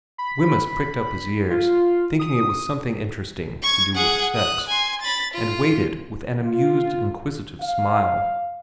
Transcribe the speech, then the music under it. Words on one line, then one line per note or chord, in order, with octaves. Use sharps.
Wemyss pricked up his ears, thinking it was something interesting to do with sex, and waited with an amused, inquisitive smile.
B5
F4
D#6
C#6 G#6
G#4 F#5
D#6 F#6
G#5 C6
B5 A6
F4
F4
F5